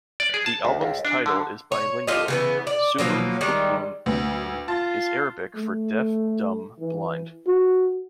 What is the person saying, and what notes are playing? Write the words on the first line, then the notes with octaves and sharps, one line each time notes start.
The album's title is bilingual: "Summun Bukmun Umyun" is Arabic for "Deaf Dumb Blind".
D5
G#4
A5
D2
C#2
D4
D3
C#5
F4 G4 A4 D#5
C#3 E3 B3
D5
B2 F3 F#3 A#3
D#3 G3 G#3
D2 B4
F4 A5 A6
A3
E3
F#4